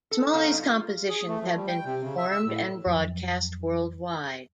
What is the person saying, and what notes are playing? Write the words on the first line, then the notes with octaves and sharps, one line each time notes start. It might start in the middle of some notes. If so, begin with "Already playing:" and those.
Smalley's compositions have been performed and broadcast worldwide.
A4
B3 C5 C#5 D#5 F5 A#5
G2 D#4
F4
G#4
A3
F3
G3
G5
C3
C#3
E5
E6
A2
F2 F3 F#3